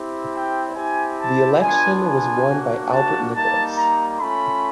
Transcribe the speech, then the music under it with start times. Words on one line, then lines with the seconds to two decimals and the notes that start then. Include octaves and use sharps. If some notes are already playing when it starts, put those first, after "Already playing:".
The election was won by Albert Nicholas.
Already playing: C4 E4 G4
0.33 G5
0.76 C4 E4 G4 G#5
1.19 A5
1.62 B3 D4 F4 G#5
2.05 G#5
2.48 A#3 D4 F#4
2.90 A5
3.34 G3 A#3 D#4 A5
3.76 A#5
4.20 A3 C#4 F4 B5